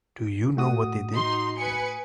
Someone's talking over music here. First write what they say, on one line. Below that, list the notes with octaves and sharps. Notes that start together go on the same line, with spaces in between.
Do you know what they did?
A2 F#4 D#6
D#4 C6
B4 G#5 C#7